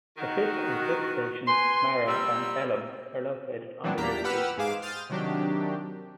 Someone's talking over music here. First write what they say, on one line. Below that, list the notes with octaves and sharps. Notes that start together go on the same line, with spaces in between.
The fifth and sixth stations Marah and Elim are located on the Red Sea.
D#3 D#4 F#4
B4 G#5 C6
G3 A#5 B5 E6
E3 F#3 G3 B3 C4 D4
E2 A#3 D4 G4 A#5 B6
G4 B4 F#5 B5 E6 F6
G#2 G#3 G#4 F5 D6 E7
C6 D#6 F6 G6 A6
C3 D#3 F#3 D4 G4